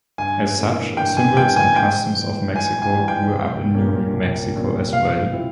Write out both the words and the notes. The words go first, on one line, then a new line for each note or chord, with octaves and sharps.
As such, symbols and customs of Mexico grew up in New Mexico as well.
G2 G#5
E3 G3 A#3 C#4
G2 G5
G#5
E3 G3 A#3 C#4 G5
G#5
G#2 G5
E3 G3
G#2 G#5
G#5
E3 G3
G5
C2
A#2 G3 A#3 C#4
C2
A#2 G3 A#3 C#4
C3 F5
F3 C4 E4